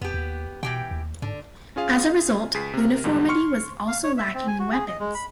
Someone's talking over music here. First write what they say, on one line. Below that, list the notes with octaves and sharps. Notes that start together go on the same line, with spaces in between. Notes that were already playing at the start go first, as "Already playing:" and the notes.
As a result, uniformity was also lacking in weapons.
F2 B3 G4
D#2
B2 E3 G4 G5
D#2
G#2 D3
C#4 F4 G#4 F5
C#2 G#4 B6 C7
C3 A#4
E2 G#2 D3 G3
C6 C#6 F6 C#7
F5
C#5
E5
C4
G#5
F#4
G#4
D#5
G#3
B5